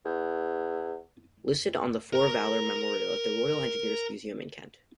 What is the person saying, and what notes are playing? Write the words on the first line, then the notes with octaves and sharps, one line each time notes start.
Listed on the "For Valour" memorial at the Royal Engineers Museum in Kent.
E2
A#4 A#5